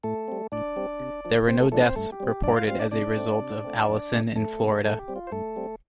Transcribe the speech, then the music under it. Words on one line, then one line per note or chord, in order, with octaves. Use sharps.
There were no deaths reported as a result of Allison in Florida.
A2 A3 A4
G3 C4
A2 D4 D5
G3 C4
C3
F3 D4
C3 C4 C5
A3 A4
F3 A3 D4 A4
C4 C5
G2 A3 A4
G4
G3 C4
G4
G2 D4 D5
F4 F5
G3 C4 F4 F5
D4 D5
C3 D4 D5
A3 C4
C3
A3 C4
F2
C3 A3
F2 A3 A4
C3 A3
G2 A3 A4
G4
G3 C4
F4
C5
G2 A3 A4
G3 C4